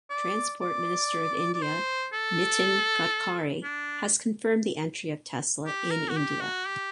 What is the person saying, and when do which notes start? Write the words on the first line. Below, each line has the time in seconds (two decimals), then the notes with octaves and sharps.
Transport Minister of India Nitin Gadkari has confirmed the entry of Tesla in India.
0.10 D5
0.61 D5
1.54 D5
1.62 C5
2.13 A4
3.64 D4
5.66 G4
5.91 A#4
6.10 F#4
6.17 G4
6.41 F#4
6.67 G4